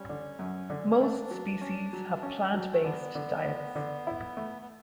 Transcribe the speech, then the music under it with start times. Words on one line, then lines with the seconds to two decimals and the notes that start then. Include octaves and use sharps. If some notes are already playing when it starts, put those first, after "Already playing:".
Most species have plant-based diets.
Already playing: G3 C#4
0.09 D3
0.39 F#2
0.70 D3
0.91 C#4
1.01 A3 D4
1.31 F#3
1.61 C#4
1.93 F#3
2.23 C#4
2.54 F#3
2.72 A3
2.84 D3 B3
3.15 D3
3.45 D3
3.75 D3
4.07 E4
4.37 A3
4.62 B3